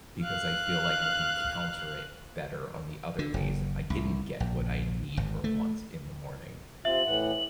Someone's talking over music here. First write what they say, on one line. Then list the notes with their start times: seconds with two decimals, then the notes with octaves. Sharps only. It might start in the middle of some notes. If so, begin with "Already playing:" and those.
because I feel like I can counter it better on the other days if I didn't get what I need or want in the morning.
0.23 F5 F#6
3.19 D3
3.34 F#1
3.90 C2
4.40 A#1
5.17 G#1
5.44 A3
6.85 C3 C4 F4 E5 F#7
7.06 A2 E3 F#5